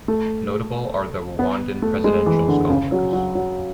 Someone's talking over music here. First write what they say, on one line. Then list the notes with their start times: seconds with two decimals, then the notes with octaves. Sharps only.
Notable are the Rwandan Presidential Scholars.
0.08 A3
1.39 B3
1.82 A3
2.04 G#3
2.26 E3
2.48 D3
2.70 C#3
2.92 F#3
3.13 F#3
3.35 F#3